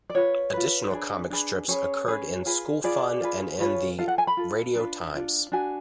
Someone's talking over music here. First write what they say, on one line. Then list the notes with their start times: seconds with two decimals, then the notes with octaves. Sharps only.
Additional comic strips occurred in "School Fun" and in the "Radio Times".
0.10 D5
0.15 F4 B4 C#5
0.53 F4 B4
0.91 D4 G#4 B4
1.30 D4 G#4 B4
1.68 C#4 G#4 B4 C#5
2.07 C#4 G#4 B4
2.46 F4 G#4 B4
2.84 F4 G#4 B4 D5
3.22 F4 G#4 B4
3.60 F4 G#4 B4 C#5
3.98 F4 A4 F5
4.08 F#5
4.18 G#5
4.27 B5
4.37 F4 A4
4.76 D4 F4 B4
5.14 D4 F4
5.52 D4 F#4 G#5